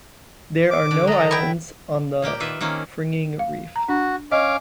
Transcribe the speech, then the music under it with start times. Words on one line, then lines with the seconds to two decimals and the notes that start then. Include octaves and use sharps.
There are no islands on the fringing reef.
0.71 D6
0.91 D3
1.07 F#3 A4 D#5 A#5
1.31 E4 G5
2.22 A#2 A#3 G4 G5
2.40 D#3 F4 B4 E5
2.61 D#3 A#3 C4 C#4
3.39 F5
3.76 A#5
3.89 D4 F#4
4.32 C#4 D#5 F5 D6